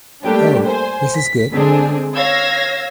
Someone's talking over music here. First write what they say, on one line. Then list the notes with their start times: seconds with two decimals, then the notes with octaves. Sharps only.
Oh! This is good.
0.24 G3 A3 A#3 D4 G4
0.65 C5 G#5
1.16 B6
1.52 D3 G#3 C4 D4 G#4
2.14 C#5 F5 E6 G#6 A#6 C7